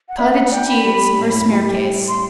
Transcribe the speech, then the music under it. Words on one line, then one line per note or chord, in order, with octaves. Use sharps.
Cottage Cheese or Smearcase.
F#5
D4 E5
F#5
D4 G5
B5
G3
A2
G3
G3
C6